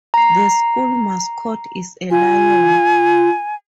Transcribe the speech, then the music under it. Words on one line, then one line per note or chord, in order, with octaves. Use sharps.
The school mascot is a lion.
A#5 C7
F4 G#5